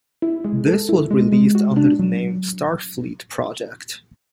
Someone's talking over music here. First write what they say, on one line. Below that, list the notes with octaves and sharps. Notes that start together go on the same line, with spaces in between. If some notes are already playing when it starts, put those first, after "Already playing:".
This was released under the name "Star Fleet Project".
E4
G#3
A4
E4
G#3
G#3
F#4
D4
F#3